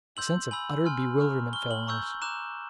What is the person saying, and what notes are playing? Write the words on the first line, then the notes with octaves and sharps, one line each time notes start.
A sense of utter bewilderment fell on us.
C6 E6 G6 F#7
G#5 B5 E6 F#7
G#5 C6 F6
A#5 C#6 F6
C#6 F6 G7
F#7
A#5 C#6 E6 G6
A#5 D6 F#6 E7